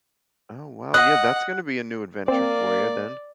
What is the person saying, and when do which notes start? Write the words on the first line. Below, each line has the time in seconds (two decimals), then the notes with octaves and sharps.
Oh wow, yeah, that's gonna be a new adventure for you then.
0.94 D#5 F#5 F#6
2.28 A#3 C4 D5